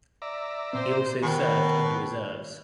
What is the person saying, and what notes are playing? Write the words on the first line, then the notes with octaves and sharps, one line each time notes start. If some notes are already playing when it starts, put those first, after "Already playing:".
He also served in the reserves.
D5 E5 A#5
A#2 C4 C5
B2 D#3